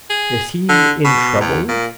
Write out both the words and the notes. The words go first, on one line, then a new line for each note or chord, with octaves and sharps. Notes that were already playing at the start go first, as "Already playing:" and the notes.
Is he in trouble?
G#4
D3
B2
E2
A#2